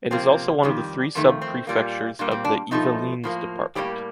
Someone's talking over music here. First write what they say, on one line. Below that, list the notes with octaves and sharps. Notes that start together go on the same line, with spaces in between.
It is also one of the three sub-prefectures of the Yvelines department.
C3 F3 A#3 C4
F2 D#3 G3
F2 D#3 A3 A#3
C4
A#2 G3 A#3
A#2 G3 A#3 D4
C4
D4
G2 F3 A3 D#4
A2 F3 A#3
A2 G3 A#3 G4